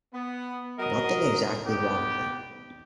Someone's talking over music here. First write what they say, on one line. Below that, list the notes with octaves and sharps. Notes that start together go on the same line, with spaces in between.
Nothing exactly wrong with it.
B3
F#3 A#4 D#5
D#3 B3 G4